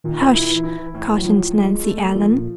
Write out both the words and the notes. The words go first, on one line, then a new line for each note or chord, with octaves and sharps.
"Hush!" cautioned Nancy Ellen.
A#2 D#3
E4
E3
E4
A2 E3
F#3
F3
G#3
A3
A#2
F3
A#2